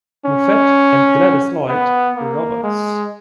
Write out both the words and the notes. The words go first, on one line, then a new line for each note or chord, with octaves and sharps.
Moffett and Gladyce Lloyd Roberts.
C#4
B3
A#3
G#3